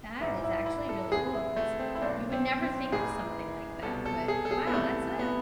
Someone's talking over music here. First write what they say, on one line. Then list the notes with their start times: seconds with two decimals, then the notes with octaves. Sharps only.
That is actually really cool, 'cause you would never think of something like that, but wow, that's a
0.21 A1 G#2 E3 E4
0.43 E4
0.66 E4
0.89 A4
1.11 D2 C3 E3 G#4
1.34 E4
1.57 A3
1.79 C4
1.95 E4
2.01 B1 B2 D4
2.32 C4
2.62 C4
2.92 A1 A2 E3 G#4
3.83 C2 B2 A4
4.06 A4
4.28 G#4
4.45 A4
4.51 G#4
4.67 B3
4.74 C2 C3 E3 A3
5.19 B3